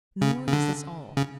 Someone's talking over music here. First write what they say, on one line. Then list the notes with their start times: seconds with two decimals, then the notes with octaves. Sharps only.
Nor is this all.
0.21 C#3
0.48 C#3
0.53 D3
1.17 C#3